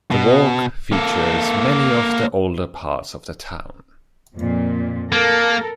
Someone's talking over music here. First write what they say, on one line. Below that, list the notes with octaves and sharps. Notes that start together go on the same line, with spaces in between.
The walk features many of the older parts of the town.
B2
A#3 A4
F2 A#2
A#3 A4 A#4